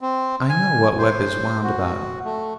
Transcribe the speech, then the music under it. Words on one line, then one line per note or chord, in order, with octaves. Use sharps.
I know what web is wound about you.
C4
G#5
C5
F#4
A3